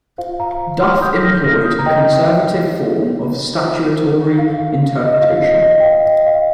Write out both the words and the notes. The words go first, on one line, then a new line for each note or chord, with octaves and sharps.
Duff employed a conservative form of statutory interpretation.
F4 C5 F5
F5 A#5
C6 F6
D#6 G6
F6 A#6
G6
F6 A#6
D#6 G6
A#5
D#4 A#4 D#5 G5
F4 C5
F5
F5
F5
D#5
F4 C5 F5
D#5
D#5
G5
F5
D#5
F5